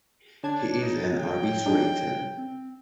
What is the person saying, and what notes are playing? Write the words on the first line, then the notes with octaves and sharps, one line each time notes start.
He is an arbitrator.
D3 D4 C#5 A5 G#6
D#4
G5
D4 D#4 G#4
C4